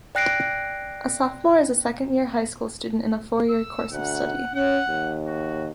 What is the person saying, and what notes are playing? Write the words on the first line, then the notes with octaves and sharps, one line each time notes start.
A sophomore is a second-year high school student in a four-year course of study.
D5 G5 F#6 A#6 C7 D7
E6
D2 F#5
C#4 F#5
D#2
F#4